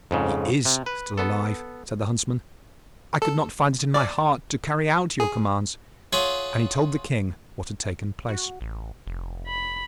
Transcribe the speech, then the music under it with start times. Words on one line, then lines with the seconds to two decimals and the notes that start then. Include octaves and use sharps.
'He is still alive,' said the Huntsman. 'I could not find it in my heart to carry out your commands,' and he told the King what had taken place.
0.11 F2 G#2 C#3
0.65 C3
0.86 B4
1.18 B3 A4
3.22 A4
3.94 D5
5.20 G#4
6.13 F4 G#4 C#5 E5 F#5
8.29 F#4
8.61 A1
9.07 F1
9.48 B5